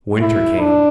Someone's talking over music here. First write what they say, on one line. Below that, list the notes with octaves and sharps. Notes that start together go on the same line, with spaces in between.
Winter came!
E4
D4